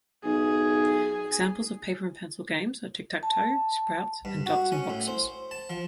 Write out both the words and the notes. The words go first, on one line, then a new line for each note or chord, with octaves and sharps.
Examples of paper-and-pencil games are Tic-tac-toe, Sprouts, and Dots and Boxes.
B1 G#4
A5
G2
F#4
C#4
A2
C5
A5
F3